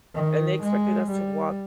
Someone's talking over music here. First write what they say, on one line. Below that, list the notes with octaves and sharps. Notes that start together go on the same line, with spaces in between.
and they expected us to walk
D#3
G#3
G3